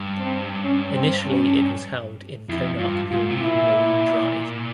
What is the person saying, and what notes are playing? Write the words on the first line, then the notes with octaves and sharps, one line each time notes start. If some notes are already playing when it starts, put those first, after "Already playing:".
Initially it was held in Konark Puri Marine drive.
Already playing: G2
C4
C#4
C4
C#4
F2 E4
G2 F4
G#2 F4
C3
A#2 E4